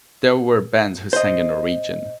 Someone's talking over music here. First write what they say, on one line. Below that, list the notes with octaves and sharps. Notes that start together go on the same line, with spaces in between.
These were bands who sang in Norwegian.
C5 D#5